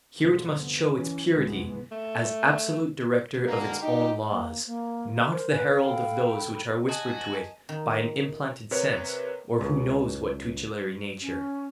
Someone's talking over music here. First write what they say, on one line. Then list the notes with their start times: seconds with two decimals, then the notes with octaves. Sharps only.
Here it must show its purity as absolute director of its own laws, not the herald of those which are whispered to it by an implanted sense or who knows what tutelary nature.
0.20 D2 G#2 B2 D3 F3 C4
0.51 G2 C3 B3
0.91 E3 C#4
1.29 C2 G2 C3 E3 G#3 B3
1.92 A3
3.47 B2 D3 G#3 A#3
3.80 D#4 G4
4.30 A#3
4.67 A#3
5.31 A#4 C5
5.51 B4 G#5
5.69 F5
5.84 A4 G5 B5
6.89 F#4 D#5 G#5 A5
7.69 D#3
8.71 C3 A#4 B4 C#5
9.61 C#2
11.21 C#4